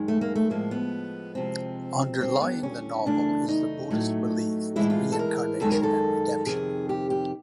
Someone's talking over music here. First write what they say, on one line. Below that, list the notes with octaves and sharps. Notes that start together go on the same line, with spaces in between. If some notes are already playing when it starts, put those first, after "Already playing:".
Underlying the novel is the Buddhist belief in reincarnation and redemption.
Already playing: F#2 D#3 G#3
A3
A#3
A3
A2 F3 G#3 A#3
B3
F2 C3 F3 G#3 C4
D#2 D3 G3 C4
B3
C#4
F#2 C#3 E3 A3 D4
D#4
A2 F#3 A3
A2 E3 G#3 E4
F4
A4
A#4
F#2 D#3 G#3 A4
A#4
A4
F2 C3 D#3 G#4
G4
G4